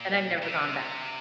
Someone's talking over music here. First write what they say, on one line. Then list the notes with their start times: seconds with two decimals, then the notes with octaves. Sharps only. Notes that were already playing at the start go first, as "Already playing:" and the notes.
and I've never gone back.
Already playing: A#2
0.43 A#2
0.48 C3